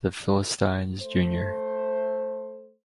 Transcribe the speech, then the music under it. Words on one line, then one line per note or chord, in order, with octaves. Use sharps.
The Philistines Jr.
A3 C5